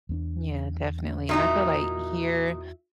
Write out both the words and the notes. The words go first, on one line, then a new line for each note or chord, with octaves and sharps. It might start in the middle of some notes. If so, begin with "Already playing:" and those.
Yeah, definitely, and I feel, like, here,
E2 B3 D4
A#2 D#4 E4 F#4 E5